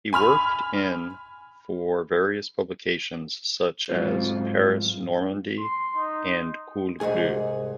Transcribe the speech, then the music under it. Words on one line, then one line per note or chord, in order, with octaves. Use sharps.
He worked in for various publications such as "Paris Normandie" and "Cols bleus".
G#5 B5 F6 F7
G#2 F#3 C4 F4 C5
C6
D#4
C2 G#2 D#3 G#4 G#5